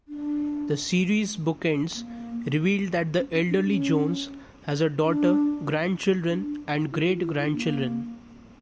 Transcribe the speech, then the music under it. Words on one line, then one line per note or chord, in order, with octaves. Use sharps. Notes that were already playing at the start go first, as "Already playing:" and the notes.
The series' bookends revealed that the elderly Jones has a daughter, grandchildren, and great-grandchildren.
D4
A#3
C#4
C#4
D4
C#4
D4
D4
E4
F4
E4
D4
A#3